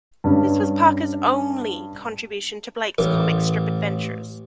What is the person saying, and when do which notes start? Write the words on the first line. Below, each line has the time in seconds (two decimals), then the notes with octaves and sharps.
This was Parker's only contribution to Blake's comic strip adventures.
0.24 G2 C#4
2.98 A1